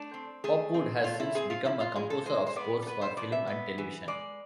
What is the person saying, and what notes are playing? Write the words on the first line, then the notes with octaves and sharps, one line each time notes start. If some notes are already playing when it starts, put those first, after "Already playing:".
Hopwood has since become a composer of scores for film and television.
Already playing: A3 D4
C4
A3 G#4
C4
A3 F4
E4
C4 G#4
F4
F3 E4
F4
G#3 G#4
A4
G#3 C5
C5
B3 D5
A4
B3 B4
C5
B2 D5
E5
B3
E3
G#3 D5